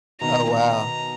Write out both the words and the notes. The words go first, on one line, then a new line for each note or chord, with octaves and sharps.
Oh wow.
B2 D#3 A#5
A#5